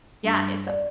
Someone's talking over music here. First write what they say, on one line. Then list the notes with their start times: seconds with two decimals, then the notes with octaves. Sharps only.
yeah, it's
0.24 G2
0.68 D5